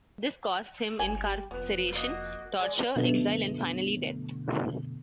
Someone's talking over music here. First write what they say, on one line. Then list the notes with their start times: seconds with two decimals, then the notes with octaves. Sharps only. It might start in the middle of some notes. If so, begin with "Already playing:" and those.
This cost him incarceration, torture, exile and finally death.
0.99 G1 G#5
1.22 G4
1.51 F1 B3 B4
1.93 A#3 F#4 D#5
2.59 G#3 D5
2.96 F#2 B2 D3 A3